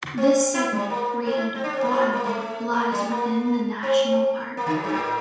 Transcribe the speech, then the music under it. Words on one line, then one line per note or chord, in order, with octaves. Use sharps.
This segment, rated "wild", lies within the national park.
C4
E4
G3
A#3
C4
E4
C4
D4
C4
A#3
C4
F4
A#3
A3
A3
A#3
G3
A#3
C4
A#3
D3
F2
G2
A2